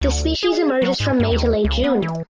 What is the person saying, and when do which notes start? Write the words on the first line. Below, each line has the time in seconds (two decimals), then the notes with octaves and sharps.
The species emerges from May to late June.
0.01 D2
0.43 G#4
0.82 F#3
1.00 G#2
1.20 G2
1.32 D#2
1.65 C#2
1.84 B3
2.02 E3